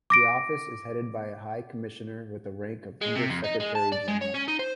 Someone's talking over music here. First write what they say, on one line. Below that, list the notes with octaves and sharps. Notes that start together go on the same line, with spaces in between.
The Office is headed by a High Commissioner with the rank of Under-Secretary-General.
D6 A#6 D7
G#3
C3
F2
D#4
G#3
A5
D5
G#3
C#5
C#4
D#4
C5